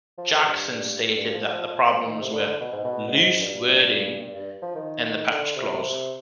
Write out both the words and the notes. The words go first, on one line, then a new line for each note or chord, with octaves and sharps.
Jackson stated that the problems were "loose wording" and the patch clause.
F3
F2
G2
G2
G2
F3
G3
F3
D#3
C3
D3
B2
G#2
B2
G2
G#2
G2
G2
G2
G2
F3
D#3
D3
C3
C3